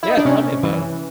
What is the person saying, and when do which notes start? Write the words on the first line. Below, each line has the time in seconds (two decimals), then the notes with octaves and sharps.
Yeah, tell me about it.
0.03 E4
0.10 D#4
0.17 D4
0.25 C3 C#4
0.63 E3